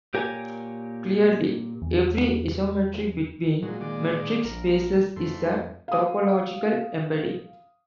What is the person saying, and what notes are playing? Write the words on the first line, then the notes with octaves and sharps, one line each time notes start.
Clearly, every isometry between metric spaces is a topological embedding.
A#2 G4 A#4 C#5 G#5
E2
A#2 F#3 G#3
D#3 G#3 D5
A#1 A#4
F2 E3 A3 C6
F5 D#6